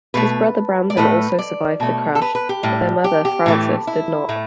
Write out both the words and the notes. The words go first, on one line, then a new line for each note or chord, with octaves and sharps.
His brother Brandon also survived the crash, but their mother, Frances, did not.
B2 A3 B4
D5
A2 A3 B4
D5
B2 A3
A4
B4
B4
G4
A2 G3
G4
G4
A2 E3 A3
E4
A2 A3